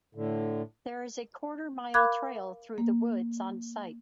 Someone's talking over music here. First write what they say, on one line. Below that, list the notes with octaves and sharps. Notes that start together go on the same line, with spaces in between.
There is a quarter-mile trail through the woods on site.
A2 D3
A#4 F5 B5 D6 F#6 G#6
A#3